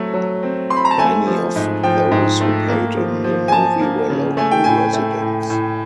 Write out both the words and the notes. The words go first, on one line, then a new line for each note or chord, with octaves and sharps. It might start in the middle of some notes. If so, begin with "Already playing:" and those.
Many of those who played in the movie were local residents.
Already playing: F#3 A3 C4
F#3
C4
C4 C6
B5
A#5
A5
A3 G#5
F3
G#2
F3 G5
G#2
A3
A#3
F3
F3
G#5
F3 A5
A#3
C#3
A3 G#5
G5
A2 G#5
A3
A2
A2